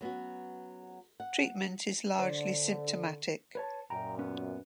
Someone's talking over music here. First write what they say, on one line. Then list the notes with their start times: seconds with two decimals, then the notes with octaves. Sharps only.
Treatment is largely symptomatic.
0.01 F#3 B3 C#4 F#4
1.20 F#5
2.19 D3 C5 D5
3.55 B4 C#5 A5
3.90 F#2 A#2 G5 A#5
4.19 B3 C#4